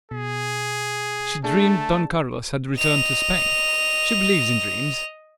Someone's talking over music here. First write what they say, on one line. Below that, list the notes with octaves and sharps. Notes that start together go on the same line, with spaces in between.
She dreamed Don Carlos had returned to Spain; she believes in dreams.
B2 G#4
A3 D4 G#4 A5
D#5 F7